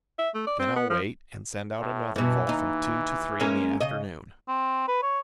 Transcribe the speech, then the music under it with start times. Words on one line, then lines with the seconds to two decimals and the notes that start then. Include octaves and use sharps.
Then I'll wait, and send out another call from two to three in the afternoon.
0.18 E5
0.35 A3
0.47 D5
0.59 C4
0.76 B3
0.90 F3
1.79 A2
2.16 G2 B2 E3
2.47 D#2 D#4
3.40 G#3 A#3 C#4
3.81 C#3 D#5
4.48 C4
4.88 B4
5.02 C#5